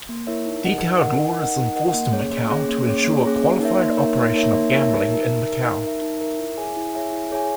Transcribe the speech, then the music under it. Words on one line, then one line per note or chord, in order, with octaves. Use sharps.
Detailed law is enforced in Macau to ensure "qualified operation of gambling" in Macau.
A#3
E4 A#4 C#5 E5
D#4
A#4 D#5 F#5
D#4
A#4 D#5 F#5
D#4
A#4 D#5 F#5
D#4
A#4 D#5 F#5
A#3
C#4 G#4 C#5
A#3
C#4 G#4 C#5
A#3
C#4 G#4 C#5
A#3
C#4 G#4 C#5
A#3
D#4 A#4 C#5 E5
A#3
D#4 A#4 C#5 E5
A#3
D#4 A#4 C#5 E5
A#3
D#4 A#4 C#5 E5
D#4
A#4 E5
D#4
A#4 E5
D#4
A#4 E5
D#4
A#4 E5
E4
G#4 C#5 E5 G#5
E4
G#4 C#5 E5 G#5
E4
G#4 C#5 E5 G#5